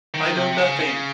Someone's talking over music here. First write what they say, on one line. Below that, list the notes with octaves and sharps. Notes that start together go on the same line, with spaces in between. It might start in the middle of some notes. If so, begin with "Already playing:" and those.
I know nothing!
D#3
C3
C#3
C#3